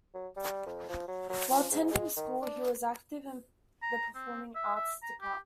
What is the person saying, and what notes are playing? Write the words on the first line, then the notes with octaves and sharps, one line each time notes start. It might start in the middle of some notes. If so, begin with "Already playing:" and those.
While attending school, she was active in the performing arts department.
F#3
G3
F2
F3
F#3
F#3
F3
G#2
G#3
D#3
D4
A#5
C4
E5
E5
A#5
G4